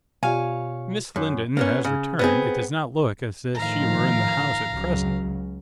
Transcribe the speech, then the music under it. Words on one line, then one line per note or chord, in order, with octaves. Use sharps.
'If Miss Lindon has returned, it does not look as if she were in the house at present.'
B2 F4 G4 C#5 D5 F5 G#5
F#2
A#3 B3 C#4
C#3
B3 C4 G#4
A2 D#3 F3 F5 A#5
C#2 C#3 F#3